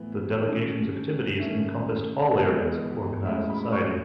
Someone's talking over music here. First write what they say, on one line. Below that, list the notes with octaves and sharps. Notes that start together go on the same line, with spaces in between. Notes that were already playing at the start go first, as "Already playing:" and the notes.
The Delegation's activities encompassed all areas of organized society.
Already playing: A2 E3 B3
D#3 A3 C#4
D#3 A3 C#4 E5
E3 G#3 B3 D#5
C#5
D#5
A2 G#3 C#4 E5
B5
C#6